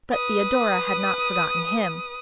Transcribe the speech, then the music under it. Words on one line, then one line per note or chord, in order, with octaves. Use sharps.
But Theodora had not forgotten him.
B4 D#6